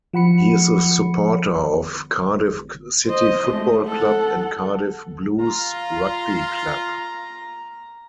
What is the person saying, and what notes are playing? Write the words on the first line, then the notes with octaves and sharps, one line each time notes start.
He is a supporter of Cardiff City Football Club and Cardiff Blues Rugby Club.
F3 F#5 B5 C#7
C5 D#5
G#3 A3
A4 F#5
F4 A#5